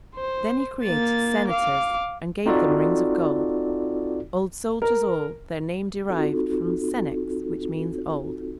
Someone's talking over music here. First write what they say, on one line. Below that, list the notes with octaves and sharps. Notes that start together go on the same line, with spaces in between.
Then he created Senators, And gave them rings of gold; Old soldiers all; their name deriv'd From 'Senex' which means 'old.'
C5
A#3 A6
F5 D6
C4 D#4 F4 F#4 A4 D5
A#4
C4 D#4 F4 F#4 A4